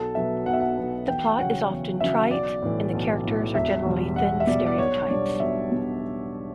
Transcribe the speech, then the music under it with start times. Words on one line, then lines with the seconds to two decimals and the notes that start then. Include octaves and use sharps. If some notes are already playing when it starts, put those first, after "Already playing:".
The plot is often trite, and the characters are generally thin stereotypes.
Already playing: B1 A4
0.15 B2 F#3 B3 E5
0.46 B1 F#5
0.53 E5
0.60 F#5
0.77 B2 F#3 B3
1.08 E2 G5
1.39 C#3 F#3 C#4 F#5
1.69 E2
2.00 C#3 F#3 C#4 E5
2.31 B1 D5
2.62 A2 E3
2.93 B1
3.24 A2 E3
3.55 E1 E5
3.85 E2 B2 G3
4.16 E1 F#5
4.40 E5
4.47 E2 B2 G3 D5
4.66 D5
4.78 B1 C#5
5.09 B2 G3 D4 D5
5.40 B1 E5
5.71 B2 G3 D4